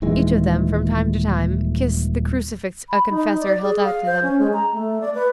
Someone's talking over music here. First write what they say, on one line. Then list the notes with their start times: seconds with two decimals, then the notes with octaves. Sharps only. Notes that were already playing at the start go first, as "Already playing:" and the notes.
Each of them, from time to time, kissed the crucifix a confessor held out to them.
0.02 D#1 D#3 E3 G#3
2.89 B5
3.10 D#4
3.40 D5
3.62 G#4
3.84 F5
4.06 C5
4.23 C#4
4.39 G#3
4.53 A#5
4.73 A3
5.01 D5
5.15 B4